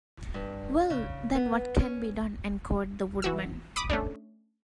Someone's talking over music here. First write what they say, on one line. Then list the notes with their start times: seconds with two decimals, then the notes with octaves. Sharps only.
Well, then, what can be done? enquired the Woodman.
0.34 G2
0.90 C#3
1.35 B3
1.79 C#4
3.22 E3 F#4 E6
3.76 B5 D6 D#6
3.90 A3 C#4 D4